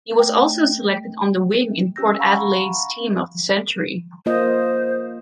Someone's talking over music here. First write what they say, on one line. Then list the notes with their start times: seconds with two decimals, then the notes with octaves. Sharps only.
He was also selected on the wing in Port Adelaide's Team of the Century.
0.19 A3 G5
1.96 C#4 G4 E6 G6 A#6
2.19 F5 F#5 G#5 A#5 B5 C#6
4.26 A#3 F4 C5 D#5